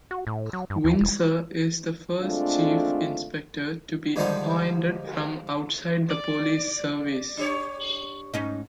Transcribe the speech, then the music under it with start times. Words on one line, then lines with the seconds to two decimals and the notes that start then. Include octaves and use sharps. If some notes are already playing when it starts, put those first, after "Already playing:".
Winsor is the first Chief Inspector to be appointed from outside the police service.
0.11 F#4
0.27 A2
0.53 F#3
0.70 G2
0.84 D#2
1.01 E1
2.20 D3 G#3 A3 C4 D4 F4
4.16 G#2 D3 D#3 F3 G3 A5
6.10 D5
7.37 D4 G4 C#5
8.34 G#2 C#4 D#4